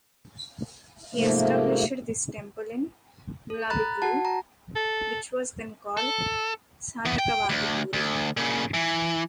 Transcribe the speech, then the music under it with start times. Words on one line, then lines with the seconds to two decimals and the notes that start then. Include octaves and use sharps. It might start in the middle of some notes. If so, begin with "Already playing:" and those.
He established this temple in Mulabagilu, which was then called Shathaka Vatipuri.
1.15 G#2 C3 F3 A3 A#3
3.50 A4
3.70 A#5 B5 F#6 A6
4.02 F#4 F#5 A5
4.25 A#5
4.76 A4
5.97 A4
7.05 E3 B3
7.19 G5
7.49 D2
7.93 D2
8.37 A#2 C#3
8.74 E3